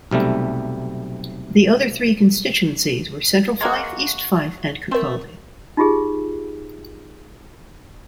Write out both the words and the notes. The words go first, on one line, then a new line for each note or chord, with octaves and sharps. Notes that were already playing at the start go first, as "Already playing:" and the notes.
The other three constituencies were Central Fife, East Fife and Kirkcaldy.
B1 C3 G3 A3
G#3 A#3 F#4 G#6
A3 C4 A#4 C5
D#4 F4 G4 G#4